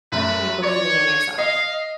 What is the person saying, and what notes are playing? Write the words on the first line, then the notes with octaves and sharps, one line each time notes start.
Like, believing in yourself.
F#2 A3 B4
C#5 D5
D#5 F5